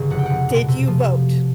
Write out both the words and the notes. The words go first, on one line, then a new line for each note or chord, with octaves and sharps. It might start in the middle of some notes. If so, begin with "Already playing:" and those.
"Did you vote?
Already playing: G1 C#3
F1 F#5
G5
F1 F#5
B2
C3
F3